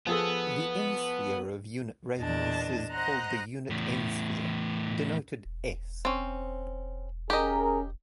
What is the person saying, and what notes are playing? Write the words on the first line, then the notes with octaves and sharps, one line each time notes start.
The "n"-sphere of unit radius is called the unit "n"-sphere, denoted "S".
F3 B3 G#4 A4
E2 A#2 D4 D#5 A5
C5 D#5 F#5 A#5 F#6
E2 A2
E1
C4 C#4
C#4 G4 G#4 A#4 D#5